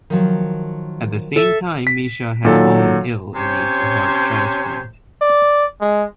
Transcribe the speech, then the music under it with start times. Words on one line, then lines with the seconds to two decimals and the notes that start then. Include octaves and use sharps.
At the same time, Misha has fallen ill and needs a heart transplant.
0.10 D#3 F3 F#3
1.36 A4 E5
1.87 B6
2.45 A#2 D#3 F#3 A4
3.35 C3 C#4 C5 C#5 G#5 C6
5.21 D5
5.81 G#3